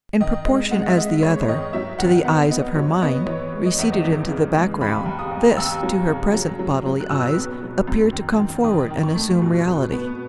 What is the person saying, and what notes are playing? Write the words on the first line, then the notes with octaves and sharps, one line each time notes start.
In proportion as the other, to the eyes of her mind, receded into the background, this, to her present bodily eyes, appeared to come forward and assume reality.
D#3 D#5
G#3 D#5
G#3 F#5
E5
G#3 D#5
G#3 C#5
C#5
D#3 D#5
F#3 E5
D#3 F#5
B3 F#5
B3 D#5
F#3 C#5
B3 D#5
E3 C#5
G#3
D#5
E2 E5
D#5
E3
C#3
G#3
D#2 B5
D#2
D#6
D#2
D#2 E6
F#3
C#3
F#3
F#3
F#3
F#6
B2 E6
B3
F#3
F#2
D#3
D#3
D#3 D#6
D#3
C#6
A3
B2
B2
B3